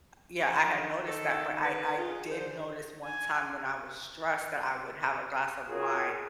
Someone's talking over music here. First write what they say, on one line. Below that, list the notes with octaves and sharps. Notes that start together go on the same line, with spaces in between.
yeah, I had noticed that, but I I did notice one time when I was stressed that I would have a glass of wine
D#3
A4
B4
F4 G#4
D3 C5
G#5
F4 F#4 G#4 A#4 C#5